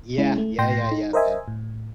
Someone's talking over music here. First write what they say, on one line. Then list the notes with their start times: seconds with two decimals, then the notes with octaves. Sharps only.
Yeah. Yeah, yeah, yeah, man.
0.18 G#3 C#4 E4
0.38 A3
0.59 A2 G5 C6 A#6
0.91 D#4
1.13 A#4 C5 D#5 E5 G#5
1.48 A2